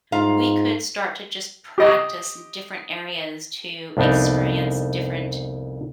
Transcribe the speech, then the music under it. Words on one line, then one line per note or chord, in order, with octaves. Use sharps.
we could start to just practice different areas to experience different,
G#2 F4 F5 A#5
G4 D#5
C2 F2 B3 D4 D#4